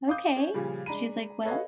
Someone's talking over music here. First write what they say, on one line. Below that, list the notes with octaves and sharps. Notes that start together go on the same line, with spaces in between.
"Okay." She's like, "Well"
F5 D6 D#6 G6
C#4
A#2 C#3 F3 G3
G#3 D4 A#5 B5 D#7
A4 B4 C#5 D#5 F5